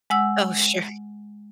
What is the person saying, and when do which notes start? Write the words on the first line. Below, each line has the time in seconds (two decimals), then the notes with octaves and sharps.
Oh, sure.
0.10 G#3 F#5 E6